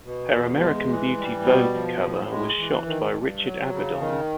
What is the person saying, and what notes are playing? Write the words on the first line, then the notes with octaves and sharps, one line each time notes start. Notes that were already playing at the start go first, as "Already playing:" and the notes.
Her American Beauty "Vogue" cover was shot by Richard Avedon.
B2
E2
G#3
E3
G3
B2
F3
A2
G#3
E3
D#3
G2
F#3
C#3
D#3